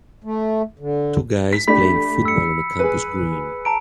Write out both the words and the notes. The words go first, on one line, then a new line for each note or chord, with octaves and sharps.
Two guys playing football on a campus green.
A3
D3
B6
A3 D4 G4 B5 B6
E6 C#7
G#4 B4
A5 A#5 D7